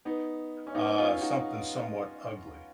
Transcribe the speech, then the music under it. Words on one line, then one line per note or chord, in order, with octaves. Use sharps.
uh, something somewhat ugly.
B3 D#4
C#4
B3 D#4
C#4 F4
D#4 F#4